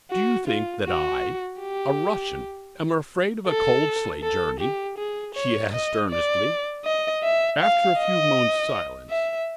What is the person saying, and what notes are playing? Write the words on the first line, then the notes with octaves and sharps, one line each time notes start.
"Do you think that I, a Russian, am afraid of a cold sleigh journey?" she asked earnestly, after a few moments' silence.
F#4
F4
F#4
G4
A4
A4
G4
G#4
C#5
D#5
D5
D#5
E5
F5
D#5
E5